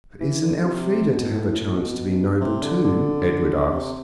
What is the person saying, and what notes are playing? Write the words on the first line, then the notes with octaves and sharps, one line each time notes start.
"But isn't Elfrida to have a chance to be noble too?" Edred asked.
E3
D3
C3
B2
A2
A2
B2
C3
D3
D3
D3
C3